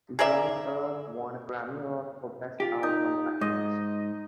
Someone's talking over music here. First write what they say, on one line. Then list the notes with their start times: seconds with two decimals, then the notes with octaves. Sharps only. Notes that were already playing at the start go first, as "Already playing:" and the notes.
John Berg won a Grammy Award for Best Album Package.
0.19 G#4 A#4 D5 E5
2.60 F4 G4
2.83 D#4
3.41 G#2 D#5